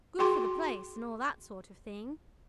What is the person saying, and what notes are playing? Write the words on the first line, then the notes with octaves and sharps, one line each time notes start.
"Good for the place--and all that sort of thing."
F#4 G#4 G5 C6 D6